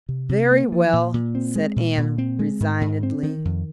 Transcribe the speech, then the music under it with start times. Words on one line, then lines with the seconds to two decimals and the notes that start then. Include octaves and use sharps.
"Very well," said Anne resignedly.
0.09 C3
0.29 C3
0.51 A#3
0.72 F3
0.93 A#2
1.14 A#2
1.35 C4
1.56 G#3
1.76 A#2
1.98 A#2
2.18 C4
2.39 G#3
2.60 G#2
2.81 G#2
3.03 C4
3.23 D#3
3.45 F2